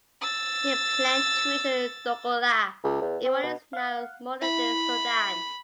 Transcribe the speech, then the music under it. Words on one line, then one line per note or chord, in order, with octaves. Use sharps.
He planned to reach Dongola in what is now modern-day Sudan.
E6 A6
C#2
E2
C4
B2
F5 F#5
E4 B5